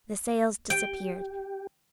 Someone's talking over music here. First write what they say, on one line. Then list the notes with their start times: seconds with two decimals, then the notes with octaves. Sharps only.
The sails disappeared.
0.70 G4 G5